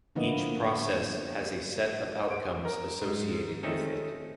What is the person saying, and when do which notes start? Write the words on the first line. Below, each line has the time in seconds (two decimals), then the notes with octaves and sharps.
Each Process has a set of outcomes associated with it.
0.15 D3 F3 A#3 B3 E4 D#5
2.31 D7
2.65 A#4
3.01 G#2
3.63 D#3 A3 C4 C#4 D#4 A4